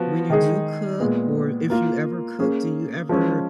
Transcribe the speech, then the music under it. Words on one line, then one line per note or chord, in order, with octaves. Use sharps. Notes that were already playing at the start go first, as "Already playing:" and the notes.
when you do cook or if you ever cook, do you ever
Already playing: F3 B3 F#4
D#3 G#3 D#4 G#4
A#2 G#3 B3
A#3 F4 A#4
A#3 C#4 G#4
F3 G#3 C#4